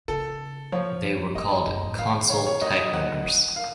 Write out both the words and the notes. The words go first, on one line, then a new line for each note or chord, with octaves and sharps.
They were called "console typewriters".
C#3 A4
F3 C#5
F3 D#5
F#2
A2
D#3 F5
C#5
C#5
F#3 D#5
D#5
F#5
F3
F5